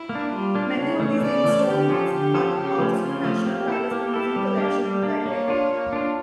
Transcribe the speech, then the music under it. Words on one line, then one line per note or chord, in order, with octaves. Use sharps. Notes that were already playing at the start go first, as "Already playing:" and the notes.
Many of these inkstones are housed in the National Palace Museum collection in Taipei.
Already playing: E4
A#3
D4
G3 F4
A#3 D4
C#3 C#5
E3 A3 C#4
C#3 D5
E3 A3 C#4
D3 G4
F3 C#4 F4 A4
D3 G4
F3 C#4 F4 A4
C#3 G4
F3 A3 C#4
C#3 F4
F3 A3 C#4
A#3 G4
E4 A4
A#3 G4
E4 A4
G3
A#3 D4
G3
A#3 D4
A#3 C#5
D4 F4
A#3
D4 F4